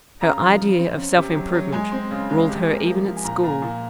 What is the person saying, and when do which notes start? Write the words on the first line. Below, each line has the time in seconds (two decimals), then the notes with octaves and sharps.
Her idea of self-improvement ruled her even at school.
0.21 C#3 A#5
0.40 F3
0.60 C#3
0.79 C4
0.97 C#4
1.16 C3
1.35 F#3
1.54 F#3
1.72 G#3 G#5
1.92 C4
2.11 C#3
2.30 G#3
2.48 C3
2.67 A#3
2.87 F3
3.06 F3
3.17 G#5
3.24 A#2 A#5
3.43 A#2 A#5
3.49 G#5
3.62 A#2